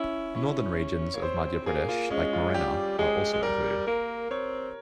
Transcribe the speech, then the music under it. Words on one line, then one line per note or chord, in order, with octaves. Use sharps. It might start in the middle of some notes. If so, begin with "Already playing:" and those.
Northern regions of Madhya Pradesh like Morena are also included.
Already playing: C#4 E4
C#4 E4
C#4
A#3 C#5
C4 C5
A#3 G#4
F4
G#3 C#4
F4
G3 G4
G#3 G#4
G#3
G3 A#4
A#3 A#4
C4 C#5